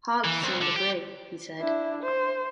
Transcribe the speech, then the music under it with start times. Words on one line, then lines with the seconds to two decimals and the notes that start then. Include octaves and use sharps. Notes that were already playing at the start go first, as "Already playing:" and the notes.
"Hob's seen the brig," he said.
0.24 E3
0.44 C2
0.61 D3
0.76 G4
1.61 D4 E4
2.03 C5